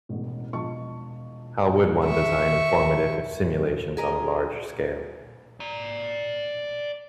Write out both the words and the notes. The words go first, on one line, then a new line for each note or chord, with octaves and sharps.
How would one design informative simulations on a large scale?
E1 A1
E1 F3 D#5 A5 C#6
E5 C#6
G#4 A#4 D#5
D5 A#5